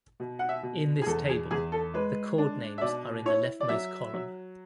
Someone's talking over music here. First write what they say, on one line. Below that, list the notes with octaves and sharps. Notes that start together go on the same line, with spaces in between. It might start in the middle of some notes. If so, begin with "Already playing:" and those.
In this table, the chord names are in the leftmost column.
B2
F#5
E5
B2
G#4
E2 A4
G#4
E2 G#4
A4
G#3 B4
D4
E5
B2 D5
E4 C#5
D5
F#3 E5
F#3